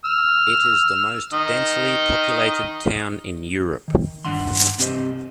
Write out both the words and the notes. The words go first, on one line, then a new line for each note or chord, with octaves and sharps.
It is the most densely populated town in Europe.
E6 F6
D#3 D#5
D#3
G2 D4 F#5 C6
C2 C4 G4 C5 D#5